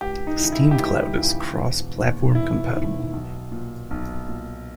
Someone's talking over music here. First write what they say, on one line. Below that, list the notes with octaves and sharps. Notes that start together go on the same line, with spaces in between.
The Steam Cloud is cross-platform compatible.
C#2 G4
D#4
C#3 E3
E4
G4
C#2 E4
C#3 E3
E1
D#2 D#3
E1 E4
D#2 D#3
B1
A#2
B1
A#2